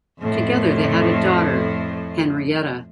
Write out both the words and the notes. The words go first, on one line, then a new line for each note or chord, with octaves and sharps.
Together they had a daughter, Henrietta.
F2 A2